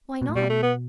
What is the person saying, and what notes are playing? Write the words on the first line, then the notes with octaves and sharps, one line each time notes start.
"Why not?"
B2
A2
B2 G3
A3
B3